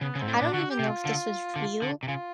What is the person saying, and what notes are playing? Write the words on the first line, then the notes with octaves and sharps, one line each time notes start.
I don't even know if this was real,
C#3 B3
C#3
G#2 C4
A2
A#2 D4
D3 F#4
G4
C3
F4
D3
D3
D3
C3
C#3 F4